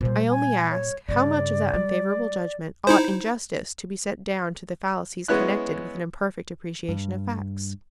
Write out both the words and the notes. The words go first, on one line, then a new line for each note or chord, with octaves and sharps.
I only ask--How much of that unfavourable judgment ought in justice to be set down to the fallacies connected with an imperfect appreciation of facts?
A#2 G3 C5
G#5
C#5
G2 C#3 D5
G3
D#4 E4 C5
G#3 B3 C#4 E4 F#6
G2